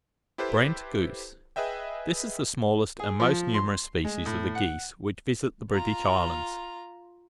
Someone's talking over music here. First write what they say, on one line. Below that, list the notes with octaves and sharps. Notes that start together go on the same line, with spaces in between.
THE BRENT GOOSE.--This is the smallest and most numerous species of the geese which visit the British islands.
E4 G4 A4 B4 C5
G#4 B4 D#5 E5 G5
G#4
F3
C6
G#3
A2
F#5
F4 A#5